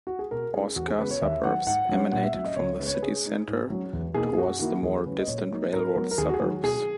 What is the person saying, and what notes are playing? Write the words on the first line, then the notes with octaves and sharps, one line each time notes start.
Horsecar suburbs emanated from the city center towards the more distant railroad suburbs.
F#4
G#4
B2 A#4
G#3 C#4 E4 G#4
E2 F#4
G#4
C#3 G#3 B3 B4
C#5
D#2 E5
D#3 F#3 F#5
G#2 F#5
F#3 C#4
A#2 F#5
E5
F#3 C#4 E5
D#5
C#2 C#5
C#3 G#3 B4
C#5
B4
C#3 G#4
G#3 D#4
G#2
F#3 C#4
E2
B2 A#3 D#4 G#4
G#4
F#2 F#4
D#3 A#3 E4 F#4
E2 G#4
C#3 F#3 C#4 B4
D#5
A#2 C#5
F#3 A#3 D#4
G#2 A#4
F#3 B3
A#4
D#2 G#4
F#4
G#4
D#3 F#3
B2 G#4